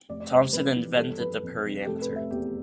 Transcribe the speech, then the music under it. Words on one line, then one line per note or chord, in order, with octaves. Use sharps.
Thompson invented the permeameter.
F1 D5
D5
G3 C5
F2 B4
E3
G4
G1 A4
F3 B4
F2
C3
G4
F1 A4
B4
F1
E5
E2 G4